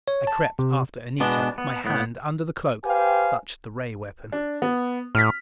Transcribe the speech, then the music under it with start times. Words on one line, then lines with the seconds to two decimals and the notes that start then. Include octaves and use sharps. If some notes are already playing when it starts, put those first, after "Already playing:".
I crept after Anita; my hand under the cloak clutched the ray weapon.
0.08 C#5
0.27 A5
0.59 C3
1.20 B2 G#3 B3 D4
1.58 B3
1.85 A2 B3
2.85 G4 B4 C5 F5 G5 G#5
4.32 D4
4.62 B3
5.15 A2 F6 B6